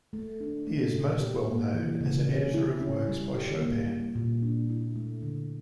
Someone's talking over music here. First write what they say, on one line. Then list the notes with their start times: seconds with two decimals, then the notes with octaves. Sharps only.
He is most well known as an editor of works by Chopin.
0.13 A3
0.40 D4
0.67 A3
0.94 A#2
1.20 G4
1.47 A#3
1.74 E3
2.01 C#3
2.28 C#4
2.54 E4
2.81 C#4
3.09 G3
3.35 G4
3.61 A#3
3.88 G3
4.15 A#2
4.42 D4
4.69 E4
4.96 A3
5.22 D3